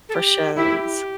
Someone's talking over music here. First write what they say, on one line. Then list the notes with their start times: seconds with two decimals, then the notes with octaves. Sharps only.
for shows.
0.09 A4
0.14 G4
0.56 E4 G4